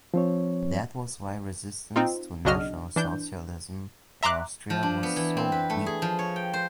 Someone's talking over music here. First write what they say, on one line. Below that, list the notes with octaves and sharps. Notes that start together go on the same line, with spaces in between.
That was why resistance to National Socialism in Austria was so weak.
F3 C4 C#5
C4 D#4 F4
B1 C#3 D4 F#4 D#5 F6
E3 D4 G6
E5 A#5 C6 D6 F#6
F3
D4
B3
E3
C4
B4
A3
G#4
F3
C#5
G5
C5